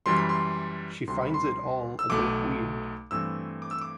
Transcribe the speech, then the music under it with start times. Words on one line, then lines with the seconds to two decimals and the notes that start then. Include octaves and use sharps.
She finds it all a bit weird.
0.06 F#2 E3 G3 C6
0.17 B5
0.29 C6
1.07 D2 C3 G3 C6
1.21 B5
1.34 C6
1.99 E6
2.10 B1 B2 A3 D6
3.11 G2 E3 A3 C4 E6
3.62 D6
3.71 E6
3.81 D6